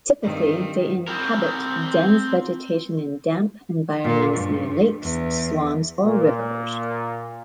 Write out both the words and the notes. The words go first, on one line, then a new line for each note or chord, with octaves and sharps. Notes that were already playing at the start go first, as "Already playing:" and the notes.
Typically they inhabit dense vegetation in damp environments near lakes, swamps or rivers.
G2 D#3 C4
C4 A#4
A#2
G2
E2
A#2